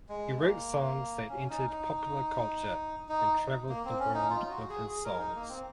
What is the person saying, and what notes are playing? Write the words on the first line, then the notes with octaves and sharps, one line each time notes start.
He wrote songs that entered popular culture and traveled the world with his songs.
G#3
A#3
C#4
D#4
D#4
D#4
A#3
C4
C#4
D#4
F4
F#4
G#4
G#4
A#4
D#4
A#3
C4